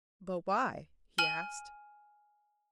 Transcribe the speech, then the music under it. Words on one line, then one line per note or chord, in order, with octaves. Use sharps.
"But why?" he asked.
G#5 F6 F#7 G7